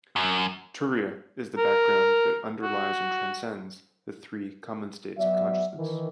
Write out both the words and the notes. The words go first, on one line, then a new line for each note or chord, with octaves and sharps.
Turiya is the background that underlies and transcends the three common states of consciousness.
F#2
A#4
F#4
F#3 B3 F#4 D5 E5
D#3 E3